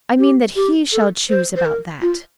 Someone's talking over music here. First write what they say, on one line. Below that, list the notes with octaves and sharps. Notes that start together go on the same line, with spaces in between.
"I mean that he shall choose about that."
G4
G4
A4
C5
C5
A#4
F4